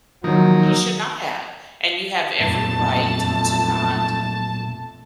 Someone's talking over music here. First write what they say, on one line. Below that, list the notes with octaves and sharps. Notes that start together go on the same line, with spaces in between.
He should not have, and you have every right to not,
D#3 F3 F#3 A#3 D#4
B1 F2 A#2 A3 A5